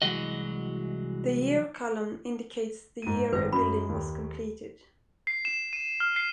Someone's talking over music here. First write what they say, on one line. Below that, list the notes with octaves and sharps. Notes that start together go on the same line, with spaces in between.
The "Year" column indicates the year a building was completed.
C2 E3 F#3 G#3 F#4 D#5
G#2 D#7
G#1 C4 B4 A#6
F#2 B5
D#2
C7
E7
D#7
F6
C7